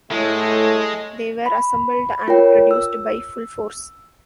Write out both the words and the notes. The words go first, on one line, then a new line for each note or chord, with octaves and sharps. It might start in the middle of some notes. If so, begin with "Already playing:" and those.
They were assembled and produced by Full Force.
A2 G#3 A3
B5
F4 A#4 C#5 G5
E6